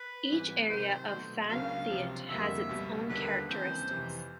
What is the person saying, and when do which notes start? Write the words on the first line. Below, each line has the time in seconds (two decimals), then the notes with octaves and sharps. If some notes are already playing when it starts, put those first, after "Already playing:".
Each area of Phan Thiet has its own characteristics.
Already playing: B4
0.29 G#2 E3 G3 C4
0.69 C3 D#3 F#3 C5
1.10 B2 F#3 A3
1.49 C#2 C#3 F#3 A#3 D4 F5
1.89 C#2 C3 F3
2.29 F2 D3 G3 A#3 E5
2.69 C#2 B2 G3
3.09 D#2 D3 G3 A#3 B4
3.49 D#2 C#3 E3 G#3 C4 C5
3.89 F2 C3 E3